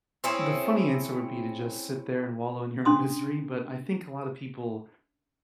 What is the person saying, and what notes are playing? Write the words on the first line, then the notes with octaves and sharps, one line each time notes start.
the funny answer would be to just sit there and wallow in your misery, but I think a lotta people
C4 C#4 E4 G#4
C#4 D4 C6 D#6